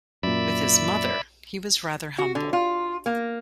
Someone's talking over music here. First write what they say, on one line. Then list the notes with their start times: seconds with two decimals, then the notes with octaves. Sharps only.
With his mother he was rather humble.
0.23 F#2 A#2 D5 E5 B5
2.18 F#4
2.35 D3
2.53 F4
3.06 A#3